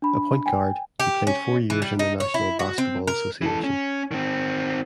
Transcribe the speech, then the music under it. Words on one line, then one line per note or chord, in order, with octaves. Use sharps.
A point guard, he played four years in the National Basketball Association.
D4 B5
G5 G#5
G4
C#4
E3
G3
D#4
C#5
E4
F#4
C4
A#4
E3 A4
C#4
D#3 C4